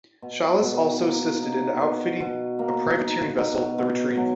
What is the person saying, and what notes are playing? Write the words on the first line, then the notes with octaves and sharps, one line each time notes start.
Shallus also assisted in the outfitting a privateering vessel, the "Retrieve".
B2
B2
A#3
D#4
B2
B2
A#3
D#4
B2
B2
F#3